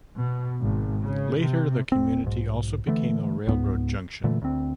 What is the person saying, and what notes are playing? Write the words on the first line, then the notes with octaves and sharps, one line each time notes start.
Later, the community also became a railroad junction.
B2
G#1
C#3
C3
E1 C4
B1 G#2
D3 E3 A3
C#2 G#2 B3
A#2 D3 E3 A3
D2 C4